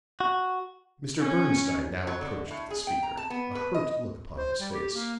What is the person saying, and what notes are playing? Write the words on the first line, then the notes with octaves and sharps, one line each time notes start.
Mr. Bernstine now approached the speaker, a hurt look upon his face.
F#4
C#4
F#3
D3
A2
G#4
G5
A#5
A5
B3
B4
D#5
C5
G3
G4
A#3